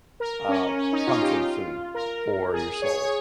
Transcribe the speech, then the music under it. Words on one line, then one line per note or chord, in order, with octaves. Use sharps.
uh, comfort food for your soul.
A#4
C#4
C#4
D#4
F4
G4
F4
A#4
G#4
C#5
C#5